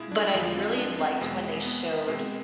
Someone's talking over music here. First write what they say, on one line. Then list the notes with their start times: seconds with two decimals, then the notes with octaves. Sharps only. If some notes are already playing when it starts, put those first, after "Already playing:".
but I really liked when they showed
Already playing: B2 G#3 E4 F4 G#4
0.12 D4
0.33 E2 D3 F3 G#3 F4
0.56 C4
0.77 D4
0.99 C4
1.20 E2 B2 G#3 C4
1.64 B3
2.07 B2 G#3 C4